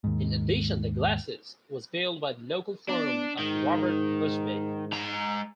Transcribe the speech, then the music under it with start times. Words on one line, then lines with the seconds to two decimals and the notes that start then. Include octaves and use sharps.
In addition the glacis was built by the local firm of Robert Bushby.
0.04 D#2 G#2
2.89 B3 D4
3.39 G#2 D#3
4.92 G#3 A#5